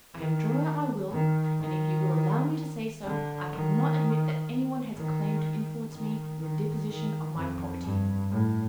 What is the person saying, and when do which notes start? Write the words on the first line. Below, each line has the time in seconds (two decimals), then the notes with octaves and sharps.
I am drawing up my will, and if you will allow me to say so, I cannot admit that anyone has a claim to influence me in the disposition of my Property.'
0.15 D#3
1.12 D#3
1.60 D#3
3.04 D3
3.52 D#3
4.96 D#3
5.91 D#3
6.39 D#3
6.87 D#3
7.35 F2
7.83 G2
8.31 A2